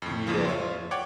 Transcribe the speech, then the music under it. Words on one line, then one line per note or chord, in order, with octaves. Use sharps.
M yeah.
F2 A2
A#1 F2 C#3 F3 A#3
F4 C#5 E5 C6
C#5 D5 F#5 G5 D6